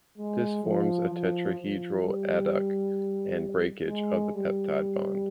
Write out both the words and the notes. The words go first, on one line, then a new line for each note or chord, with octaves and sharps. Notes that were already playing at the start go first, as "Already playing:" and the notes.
This forms a tetrahedral adduct and breakage of the peptide bond.
G#3
F3
F3
F3
G3
G#3
G3